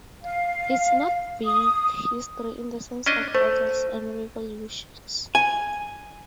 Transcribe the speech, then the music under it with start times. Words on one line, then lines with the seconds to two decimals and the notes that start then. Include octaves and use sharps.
It's not "big" history in the sense of battles and revolutions.
0.23 F5
1.45 D#6
3.06 C#4 D4 D#5
3.35 A3 C5
5.35 G#5